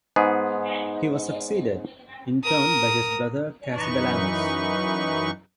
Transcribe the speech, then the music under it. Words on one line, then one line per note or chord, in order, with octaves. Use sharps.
He was succeeded, in turn, by his brother Cassibelanus.
G#2 B3 G#4
A#4 D#6
F#2 E3 D#4 B4 C#6